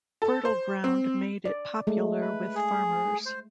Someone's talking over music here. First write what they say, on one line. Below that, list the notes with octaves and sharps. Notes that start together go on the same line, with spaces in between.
Fertile ground made it popular with farmers.
A4
C5
C4
D5
G#3 A3
B4
G#4
C5